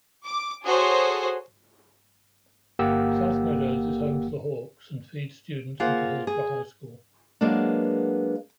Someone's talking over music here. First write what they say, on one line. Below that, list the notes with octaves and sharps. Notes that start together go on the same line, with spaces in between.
South Meadows is home to the Hawks and feeds students into Hillsboro High School.
D6
F#4 G#4 A4 C5 C#5
G1 A#3 G4 F#5 E6
A#3 F4 G#4 C5 F5 F#5
G#4
F#3 G#3 A#3 B3 D4